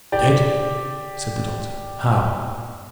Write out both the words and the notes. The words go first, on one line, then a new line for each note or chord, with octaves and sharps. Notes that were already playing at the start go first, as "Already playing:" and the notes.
"Dead!" said the doctor, "how?"
G4 D5